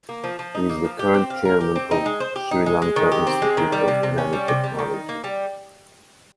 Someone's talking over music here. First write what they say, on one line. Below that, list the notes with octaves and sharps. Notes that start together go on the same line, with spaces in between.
He is the current chairman of Sri Lanka Institute of Nanotechnology.
A#3
F3
F3
D#4
A#3
F3
G4
C4
F5
A#4
G4
C4
D#4
G#3
C5
G4
D#4
G#3
G#3
D#3
G4
C4
G#3
D#3
G3
C3
C3
C#4
G3
C3
G3
D#3
D#4
A#3
G3